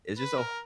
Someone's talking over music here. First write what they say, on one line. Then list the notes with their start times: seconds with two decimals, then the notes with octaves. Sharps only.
it's just a wh
0.18 B4
0.38 A#4